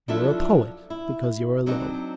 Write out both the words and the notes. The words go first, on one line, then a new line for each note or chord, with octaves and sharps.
You are a poet because you are low.
F3 F#3 D4 E4 A4 E5
E4
F#3 C4 D4 D#4